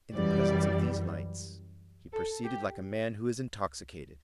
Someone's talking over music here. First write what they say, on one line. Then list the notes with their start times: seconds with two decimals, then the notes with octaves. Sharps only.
In the presence of these lights, he proceeded like a man who is intoxicated.
0.13 F#2 E3 G3 D5
2.12 A4
2.44 G4